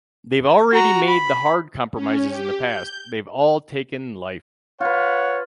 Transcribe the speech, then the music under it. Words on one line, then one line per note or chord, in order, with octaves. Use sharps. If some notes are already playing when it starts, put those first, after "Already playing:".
They've already made the hard compromises in the past; they've all taken life.
F#4 A#5
B5
C#4
G4
G6
F4 B4 C#5 F#5